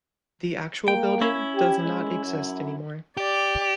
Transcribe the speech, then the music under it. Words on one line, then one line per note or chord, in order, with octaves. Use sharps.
The actual building does not exist any more.
A#3 G5
C#4 E4
G4
G#3
F#2
G4 D5